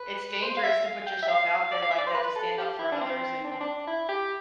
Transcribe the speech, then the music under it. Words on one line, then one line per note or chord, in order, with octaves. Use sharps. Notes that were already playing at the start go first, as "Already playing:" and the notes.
It's dangerous to put yourself out there like that, to stand up for others, and
Already playing: B4
C5
F5
E5
F5
G5
E5
F5
D5
F5
E5
D5
C5
B4
A4
G4
E4
D4
C4
D4
C4
D4
E4
G4